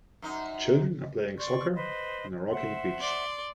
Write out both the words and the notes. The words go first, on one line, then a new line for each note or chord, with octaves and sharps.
Children are playing soccer on a rocky beach.
F#2 D#4
D5 C6 C#6
B4 C5 D#5
C5 E5 F#5
D5 C6